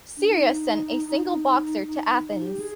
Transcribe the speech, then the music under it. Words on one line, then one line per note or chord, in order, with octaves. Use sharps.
Syria sent a single boxer to Athens.
D4
D#4
G4
G#4